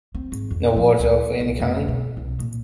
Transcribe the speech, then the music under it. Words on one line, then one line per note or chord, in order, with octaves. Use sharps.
No word of any kind?
C4
G#1
F2
F3
D2
C2
F1
B2
C2
A#2